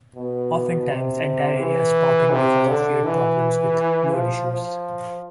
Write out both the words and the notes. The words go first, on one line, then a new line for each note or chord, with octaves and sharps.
Oftentimes, entire areas pop in because of weird problems with load issues.
B2
C3
E3
C3
D3
E3
F3
F3